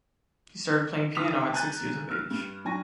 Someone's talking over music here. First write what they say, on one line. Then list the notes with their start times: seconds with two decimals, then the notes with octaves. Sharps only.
He started playing piano at six years of age.
1.15 D#3 D#6 B6 F7
1.40 G5
1.54 G#5 A#5 F#6 G6 A6
2.09 E6 F6
2.31 G2
2.65 F#3 D4 G#5 C#6 A#6